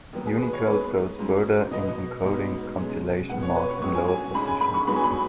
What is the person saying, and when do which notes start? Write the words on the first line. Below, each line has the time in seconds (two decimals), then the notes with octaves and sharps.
Unicode goes further in encoding cantillation marks in lower positions.
0.13 D#2 D#3 F#3 B3
0.27 G#4
0.40 B4
0.53 C#5
0.66 G#2 G#3 B3 B4
1.19 G#2 F#3 C#4
1.71 B2 B3 D#5
2.25 G#2 F#3 B3
2.77 B2 G#3 C#4
3.29 C#2 B2 B3 F#5
3.43 C#5
3.56 B4
3.69 C#6
3.82 C#2 B2 F#3 C#4 C#6
3.95 G#5
4.08 G#5
4.34 G#2 G#3 C#4 B5
4.47 G#5
4.61 B5
4.74 C#6
4.87 G#2 F#3 B3 B5
4.96 G#5
5.04 B5